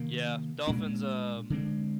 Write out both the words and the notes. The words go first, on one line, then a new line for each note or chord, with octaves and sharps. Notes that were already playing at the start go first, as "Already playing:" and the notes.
Yeah, dolphins, um
Already playing: C3 D#3 A#3
A#2 G#3 D4
D3 G#3 C4